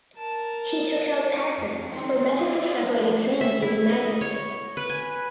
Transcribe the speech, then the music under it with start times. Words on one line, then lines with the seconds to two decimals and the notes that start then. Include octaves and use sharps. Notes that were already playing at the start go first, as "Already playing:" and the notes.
He took out patents for methods of separating sands using magnets.
0.16 A#4 A5
1.58 F2
1.91 D#3 C4 C6 C#7
2.38 E4 F4 D5 D#5
2.83 F3 A#3 B3 D4
3.41 E5
3.62 E4
3.89 D#5
4.21 C#5
4.77 B4
4.90 G#5